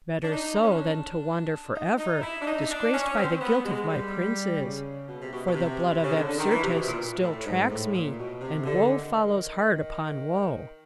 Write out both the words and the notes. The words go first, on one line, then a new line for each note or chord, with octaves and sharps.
Better so, than to wander forever, disgraced by the guilt of my princes; for the blood of Absyrtus still tracks me, and woe follows hard upon woe.
D4
D#4
D4
C#4
D4
D#4
D#4
E4
D4
D#4
D4
C#4
C4
B3
G#3
G3
C#3
B2
C3
B2
B2
C3
C#3
D3
D3
D#3
E3
C3
B2
A#2
A2
G#2
A2
A#2
B2
C3
D3
D#3